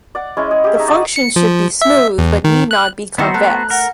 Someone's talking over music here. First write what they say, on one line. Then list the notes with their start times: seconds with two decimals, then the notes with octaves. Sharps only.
The functions should be smooth but need not be convex.
0.15 D5 F#5
0.37 G#3 C#4 E4
0.51 G#4
0.64 G4 G#4
0.76 D#4 E5
0.88 D5 F#5 C#6 D#6
1.16 C#7
1.36 F3
1.81 E5
2.18 E2
2.44 D#3
2.71 F#6
3.18 D#3 A#3 B3 E4 F#4 C5 A#5
3.34 A3 F#6
3.70 A#4 F#5